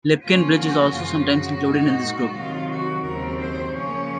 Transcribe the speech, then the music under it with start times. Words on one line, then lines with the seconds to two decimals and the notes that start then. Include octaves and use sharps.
Lipkin Bridge is also sometimes included in this group.
0.25 C#3 F3 A#3 C#4 F4
0.59 F#4
0.95 F#2 C#3 F3 F4
1.29 F#4
1.65 A#2 G#3 D#4
2.35 C3 D#3 F#3 F4
2.70 F#4
3.04 D#2 C#3 F#3 C4 A#4
3.40 C5
3.75 C#3 F3 A#3 C#4 C#5